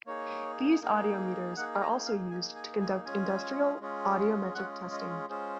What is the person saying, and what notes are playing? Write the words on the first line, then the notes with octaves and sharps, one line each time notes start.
These audiometers are also used to conduct industrial audiometric testing.
A#3 D#4 G#4 C#5
A#3 D#4 G#4
A#3 D#4 G#4 F#5
A#5
F5
A#3 D#4 G#4 G#5
G#5
G#5
G#3 C#4 F4 G#4 G#5
G#3 C#4 F4 G#4
G#3 C#4 F4 G#4 F#5
D#5
G#3 C#4 F4 G#4 C5